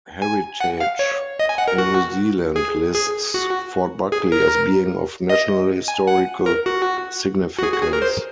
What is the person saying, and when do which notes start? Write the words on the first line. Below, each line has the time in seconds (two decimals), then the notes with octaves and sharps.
Heritage New Zealand lists Fort Buckley as being of national historical significance.
0.22 G#5
0.61 F#5
0.80 F5
0.99 C#5
1.39 D#5
1.49 G#5
1.58 F#5
1.68 A#4
1.78 F#4
2.56 G#4
2.95 G#4
3.34 F#4
4.12 G#4
4.32 A#4
5.30 D#5
5.88 G#5
6.07 F#5
6.46 A#4
6.66 F#4
7.59 F#4
7.63 G#4
7.73 F#4
7.83 G#4
7.93 A#4
8.02 C5